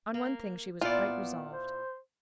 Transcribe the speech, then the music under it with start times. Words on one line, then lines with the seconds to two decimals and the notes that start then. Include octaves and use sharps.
On one thing she was quite resolved.
0.14 A#3
0.81 A#2 B3 E4 F4 D5
1.52 C5